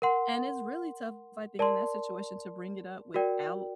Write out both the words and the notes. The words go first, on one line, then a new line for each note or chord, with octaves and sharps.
and it's really tough, I think, in that situation to bring it up without,
A#4 F#5 C6
A#4 D5 A5 C6
F#4 A#4 D5 G5